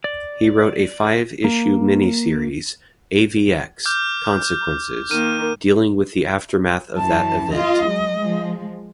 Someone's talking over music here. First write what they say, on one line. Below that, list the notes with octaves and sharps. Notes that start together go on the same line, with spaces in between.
He wrote a five-issue miniseries "AvX: Consequences", dealing with the aftermath of that event.
D5
A#3
D6 F6 G6
D#3 A#3 F6 D#7
F#2 E3 A5
F4 D#5
F#3 G#3
F3 G#3